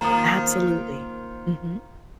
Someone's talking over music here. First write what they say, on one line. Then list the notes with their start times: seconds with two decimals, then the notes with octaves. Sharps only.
Absolutely. Mhm.
0.01 D#3 A#3 C4 F4 A#5 D#6